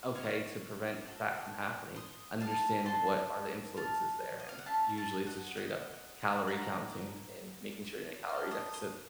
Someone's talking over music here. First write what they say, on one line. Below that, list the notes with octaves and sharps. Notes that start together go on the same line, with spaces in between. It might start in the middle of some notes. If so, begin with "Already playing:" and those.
Okay, to prevent that from happening, understand what are the influences there." And usually, it's a straight up calorie counting and making sure you're in a calorie deficit.
C#5 F5
C4 F4 A4
C6 D#6
F5 A5
C4 F#4 A4 A5 C6
F5 A5
D#5
F5
F#5
A3 C#4 F4 F5 A5
F5 A5
D#5 F#5
D#5 F#5
C#4 A4 F#5 A#5
A#3 D#4 A4 F6
C6 D#6
C6 D#6